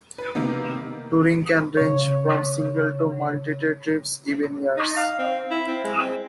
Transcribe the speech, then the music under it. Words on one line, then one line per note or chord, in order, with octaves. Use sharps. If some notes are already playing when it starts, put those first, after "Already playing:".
Touring can range from single-to multi-day trips, even years.
B4
C3 D#3 A#3 B3
C#3 C#5
D#4
F5
C4
E4
C4
G#3
C4